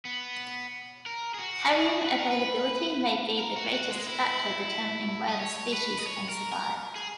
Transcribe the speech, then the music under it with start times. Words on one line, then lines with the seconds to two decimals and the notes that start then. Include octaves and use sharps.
Carrion availability may be the greatest factor determining where the species can survive.
0.05 B3
1.06 A#4
1.34 G#4
1.39 F#4
1.72 G#4
2.06 B4
2.18 A#4
2.31 B4
3.39 A#4
3.56 F#4
3.73 F#4
3.90 G#3
4.07 E4
5.29 D#5
5.40 C#5
5.73 B4
6.00 D#5
6.07 C#5
6.29 A#4
6.52 A#4
6.96 G#4